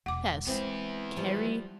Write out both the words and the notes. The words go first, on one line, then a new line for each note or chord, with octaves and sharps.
Yes. Carry?
E1 F#5 D6
G#3 B3 C4 E4
F3 G3